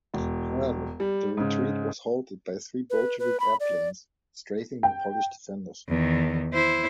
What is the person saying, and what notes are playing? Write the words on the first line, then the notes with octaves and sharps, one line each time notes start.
However, the retreat was halted by three Bolshevik airplanes strafing the Polish defenders.
E1
G3
G#2 C#3
B4
B4
B5
D5
G5
E2 D#3
E4 C5